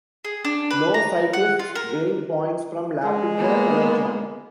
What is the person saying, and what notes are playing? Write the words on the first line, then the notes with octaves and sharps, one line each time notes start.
No cyclists gained points from lapping the peloton.
G#4
D4
B4
A#5
F#5
F4
A#4
G#3
A#3 B3